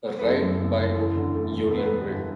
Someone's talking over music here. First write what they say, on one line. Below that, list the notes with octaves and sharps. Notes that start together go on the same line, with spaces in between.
A raid by Union Brig.
B4
F#1 A4
F#2
F#1
F#1
E2 A4
D3
A3
E1
B3 A4
B4
B3 A4
G1